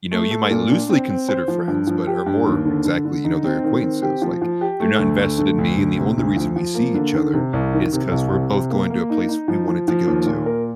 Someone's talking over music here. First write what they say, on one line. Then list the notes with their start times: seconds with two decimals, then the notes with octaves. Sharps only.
you know, you might loosely consider friends, but are more exactly, you know, they're acquaintances. Like, they're not invested in me, and the only reason we see each other is 'cause we're both going to a place we wanted to go to.
0.11 A3
0.31 A4
0.51 A#2
0.70 D4
0.90 C4
1.10 C4
1.28 C5
1.48 F3
1.68 G2
1.87 F3
2.07 G4
2.26 G2
2.46 D#2
2.65 D3
2.85 D3
3.05 D3
3.24 D#4
3.44 C4
3.64 D#3
3.82 C4
4.02 G4
4.22 F3
4.42 F3
4.61 G4
4.80 A3
4.99 D2
5.19 A3
5.38 D3
5.58 D2
5.78 D2
5.97 C3
6.17 D2
6.36 F3
6.56 F3
6.75 A#3
6.94 D3
7.14 D#3
7.33 C3
7.53 C2
7.73 D#3
7.93 C3
8.11 C2
8.32 C3
8.51 C3
8.70 A#3
8.90 A#3
9.10 D#4
9.29 D#4
9.48 F3
9.68 F3
9.88 F3
10.07 D#2
10.26 A#2
10.46 A#4